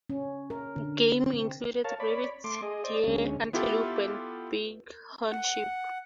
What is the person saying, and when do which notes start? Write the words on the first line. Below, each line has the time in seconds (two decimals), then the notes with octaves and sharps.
Game included rabbits, deer, antelope, and bighorn sheep.
0.10 C#4
0.50 A#4
0.76 D3
1.34 C4
1.85 A#4 C#5 F5 A5
2.00 C#5 D5 B5
2.44 A3 C6 D6
2.62 G#4 D#5
2.84 C5 D5 D#5
3.06 D2 G#3 C#4
3.53 B3 E4 F4 G4 A4
5.31 F#5